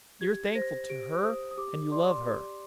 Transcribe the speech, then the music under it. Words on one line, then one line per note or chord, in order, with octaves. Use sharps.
You're thankful to her, and you love her.
G4 G#6
C5 A#6
G4 D7
C5 D#6
D#6
G4 D6
D5 C6
D6
C6
G4